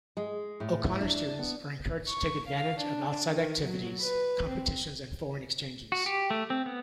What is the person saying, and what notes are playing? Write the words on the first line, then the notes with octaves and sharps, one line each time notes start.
O'Connor students are encouraged to take advantage of outside activities, competitions and foreign exchanges.
G#3
A2
D4
B3
C#6
F5
D4
D#3
F#3
B4
C4
F#4
G4
A3
C4
B3